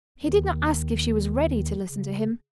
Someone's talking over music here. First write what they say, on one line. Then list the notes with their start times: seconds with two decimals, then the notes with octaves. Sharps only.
He did not ask if she was ready to listen to him.
0.24 D#2 D#3
1.89 C#3